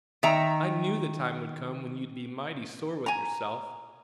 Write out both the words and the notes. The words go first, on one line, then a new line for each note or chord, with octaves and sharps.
I knew the time would come when you'd be mighty sore with yourself.
D#3 E5 A#5
G#5 A#5